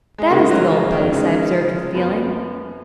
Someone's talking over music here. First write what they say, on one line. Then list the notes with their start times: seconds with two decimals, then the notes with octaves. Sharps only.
'That is the old place,' I observed with feeling.
0.18 G#3
0.30 C#3 G#3 A#3 D#4
0.51 F#3
0.72 F3
0.92 D#3
1.12 C#3 G#3 D#4
1.94 F#2 F3 B3